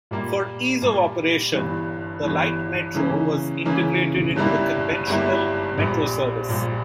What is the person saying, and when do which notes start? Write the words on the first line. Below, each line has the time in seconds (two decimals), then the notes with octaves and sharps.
For ease of operation, the Light Metro was integrated into the conventional Metro service.
0.11 A#2 G3 A#3
0.82 A#2 G3 A#3
1.52 G1 G2 E3
2.24 G1 G2 E3
2.94 C#3 E3 A#3 C#4
3.65 C#3 E3 A#3 C#4
4.36 G1 G2 G3 A#3 E4
5.07 G1 G2 G3 A#3 E4
5.78 A#1 A#2 G3
6.49 A#1 A#2 G3